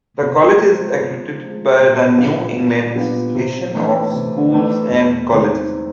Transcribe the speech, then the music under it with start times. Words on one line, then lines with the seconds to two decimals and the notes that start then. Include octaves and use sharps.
The college is accredited by the New England Association of Schools and Colleges.
0.22 C3
0.62 F3 G#3
1.01 C3
1.40 F3 G#3
1.79 A#2
2.18 G3 B3 D4 F4
2.56 A#2
2.95 G3 B3 D4 F4
3.35 C3
3.74 E3 A3 D4
4.13 C3
4.52 E3 A3 D4
4.91 E2
5.30 C3 D#3 G#3 C4